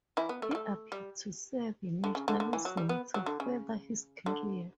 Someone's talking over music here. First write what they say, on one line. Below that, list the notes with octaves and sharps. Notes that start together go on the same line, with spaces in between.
He appealed to Serb nationalism to further his career.
E3 E4
B3
A3
G3
A3
G3
D3
C#3
D3
D3
E3
F#3
G3
B3
F#3
D3
C#3
D3